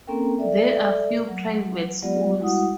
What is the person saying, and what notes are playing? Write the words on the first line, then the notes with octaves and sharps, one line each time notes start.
There are few private schools.
A#3 C4 C#4 A4 A#4 G5
A4 D5 E5
F#3
F#3 G#3 B3 F4 G4 D5
G3 G#3 E4 F#4 F#5 D#6